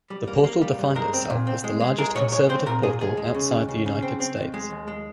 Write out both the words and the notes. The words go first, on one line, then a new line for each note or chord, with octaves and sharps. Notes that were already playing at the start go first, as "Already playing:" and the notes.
The portal defined itself as the largest conservative portal outside the United States.
G3
A#3
A#3
G3
G2
G#3 A#4
C4
A#2
C4
G#3
G#3
G#3 A#4
A#2 C#5
G#3 C#5
C4 C5
A#2 A#4
A#2 G#4
D#2 G#4
G#3
C#3
D#2
C#3
C#3
C4
C4
D#2
G#3
D#2
G#3